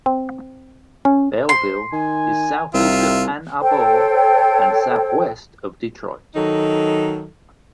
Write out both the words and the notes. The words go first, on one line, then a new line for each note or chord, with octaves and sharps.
Belleville is southeast of Ann Arbor and southwest of Detroit.
C4
C#4
C5 C6
D#3 G#5
C2 D#4 F4 E5 G5
A4 C5 C#5 G5
D#3 F#3 D#4 A4